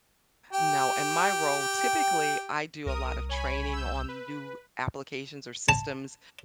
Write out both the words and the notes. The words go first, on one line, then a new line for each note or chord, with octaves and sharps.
No, in my role, typically, I do a lot of training on new applications or systems,
G4 G5
C2 A#4 D#6
C#5 G#5 B5
E6 G6
B4
A5